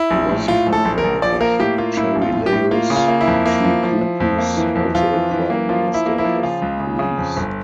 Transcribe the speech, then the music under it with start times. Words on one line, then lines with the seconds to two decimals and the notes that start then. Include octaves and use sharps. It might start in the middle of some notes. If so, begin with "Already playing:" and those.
He was the father of Charilaos Trikoupis, also a Prime Minister of Greece.
Already playing: E4
0.10 A#1
0.29 A2
0.48 A2 F4
0.66 A#1
0.73 A4
0.85 A#1
0.98 A#4
1.04 A#1
1.22 F3 D5
1.41 A#3 A#4
1.60 A2 G4
1.78 A#3 F4
1.97 A2 E4
2.15 A#1
2.22 F4
2.34 A2
2.46 G4
2.53 A2
2.71 A#3 F4
2.90 C#3
2.96 F4
3.08 A#3
3.21 E4
3.27 F2
3.46 A#3
3.64 F3
3.83 F3
4.01 F3
4.20 F2
4.38 A#3
4.57 E3
4.75 F2
4.94 F2 F4
5.13 E3
5.31 E3
5.50 A#3
5.69 F3 F4
5.88 F3
5.94 E4
6.06 A#3
6.18 E4
6.24 F3
6.43 C#3 F4
6.62 C#2
6.80 C#3
6.99 C#3
7.18 F2
7.37 G1